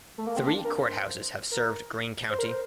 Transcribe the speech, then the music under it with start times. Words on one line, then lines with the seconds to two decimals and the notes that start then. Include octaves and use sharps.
Three courthouses have served Green County.
0.18 A3
0.27 A#3
0.37 C4
0.47 D4
0.65 A#4
0.82 C5
1.51 A#4
2.30 C5
2.39 A#4
2.46 C5